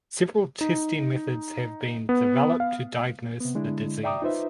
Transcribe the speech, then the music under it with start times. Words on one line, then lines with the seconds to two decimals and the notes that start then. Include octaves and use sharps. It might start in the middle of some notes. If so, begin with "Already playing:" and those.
Several testing methods have been developed to diagnose the disease.
0.61 D#4
2.09 B3
2.60 F5
3.40 C3 B3
3.55 D3 G#3 D4 E4
4.03 D5 E5 G5 A#5 D6 D#6
4.22 D#4 F4 B4 C5 E5